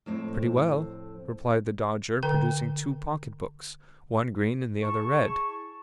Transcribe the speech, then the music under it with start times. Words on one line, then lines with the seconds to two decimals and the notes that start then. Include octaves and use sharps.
'Pretty well,' replied the Dodger, producing two pocket-books; one green, and the other red.
0.06 F2 A2 C4
2.23 D3 B4 G5
4.82 E4 G#4 A5 C#6